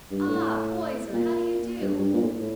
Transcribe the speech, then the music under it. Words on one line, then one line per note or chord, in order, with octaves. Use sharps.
Ah, Poyser, how do you do?
G2
A2
A#2
G2
G2
A#2
A2
A2